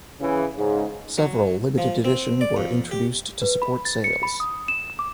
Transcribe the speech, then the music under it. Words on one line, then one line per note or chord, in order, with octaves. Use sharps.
Several limited edition were introduced to support sales.
C#3 E3
G#2 C#3
F#3
F3
C4
D5
F2
G4
B4
B5
A6
C#7
B5
D#6
E7
D6